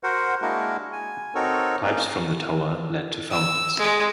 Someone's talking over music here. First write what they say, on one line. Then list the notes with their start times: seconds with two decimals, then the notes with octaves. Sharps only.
Pipes from the tower lead to fountains.
0.03 F#4 A#4 C5 F#5
0.42 G#3 A#3 D4 E4 F#4 A#4
0.93 G#5
1.35 C4 D#4 F#4 A4 A#4 C#5
1.84 A#3 C#4 D#4
3.31 E6
3.78 G#3